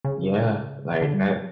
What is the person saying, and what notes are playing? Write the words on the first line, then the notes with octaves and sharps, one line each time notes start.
Yeah. Like, I
C#3
D3
G3
F#3